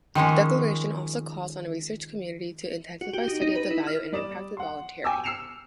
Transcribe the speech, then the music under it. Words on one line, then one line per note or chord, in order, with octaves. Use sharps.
The declaration also calls on the research community to intensify study of the value and impact of volunteering.
D#3 F3 G#3 C#4
F#4
G4
D#4
D#4
B4
E4
F6
G3 D5 D#6 E7
F#5 C6
G5 G#5 D6 E6
E6 F6 C7 C#7 E7 F7